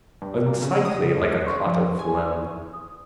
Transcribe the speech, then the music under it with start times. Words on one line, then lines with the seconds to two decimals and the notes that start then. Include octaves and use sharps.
Unsightly like a clot of phlegm.
0.22 G2
0.46 A#2
0.62 C#3
0.85 D#6
1.02 C#3
1.17 D2
1.46 C6 C#6
1.66 F3
1.99 G#5
2.73 D#6